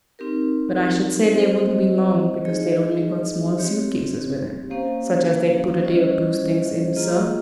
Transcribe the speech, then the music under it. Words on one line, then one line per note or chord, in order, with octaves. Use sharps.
"But I should say they wouldn't be long because they'd only got small suit-cases with them--such as they'd put a day or two's things in, sir."
C4 D#4 G4 A#4
G3 C4 G4 C5 D#5
G#3 D#4 G#4 D#5
C4 G4 C#5
A#3 C#4 G4 C5 F5
G3 C#4 F4 C5 D#5
A#3 F4 G#4 D#5